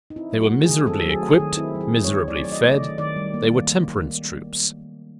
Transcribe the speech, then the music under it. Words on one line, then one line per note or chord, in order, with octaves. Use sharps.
They were miserably equipped, miserably fed. They were temperance troops.
D#4
C4 E4
F#3
F#4
A3
G#4
D#3
C4 A4
F#3
G#4
A3
G#4
D#3
C4 E4
F#3
G#4
A3
C#5
D#3
C4 D5
F#3 D5
D#5
A3
D5
D#3
D#3 D5
G3
A#3
D#3